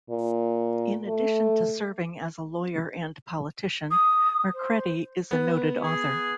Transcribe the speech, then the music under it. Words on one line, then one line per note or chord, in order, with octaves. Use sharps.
In addition to serving as a lawyer and politician, Mercredi is a noted author.
A#2
A3
D#6
C5
B3
G#4